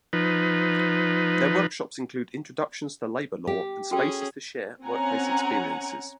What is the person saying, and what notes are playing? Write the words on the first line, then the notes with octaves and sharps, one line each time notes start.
Their workshops include introductions to labor law and spaces to share workplace experiences.
F3 D#4 B4
G4
C#4 F#4 G#4 A4 G5
C4 C#4 F#5 G#5 A#5